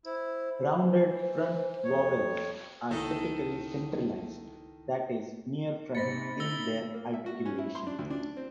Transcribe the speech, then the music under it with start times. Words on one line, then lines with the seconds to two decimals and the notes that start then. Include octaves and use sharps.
Rounded front vowels are typically centralized, that is, near-front in their articulation.
0.05 E4 C5
0.75 E3
1.84 F2 C#5
2.91 C#2 D#3 D#4 E4 A4
5.95 G#2 C3 C5 B5 A6 A#6 C#7
6.40 A3 D#4 E4 E6 A#6 G7
6.94 A#3
7.14 E5
7.26 F#4
7.45 C#4
7.58 E4
7.75 C6
7.87 D4
7.98 D2
8.10 D4
8.37 C4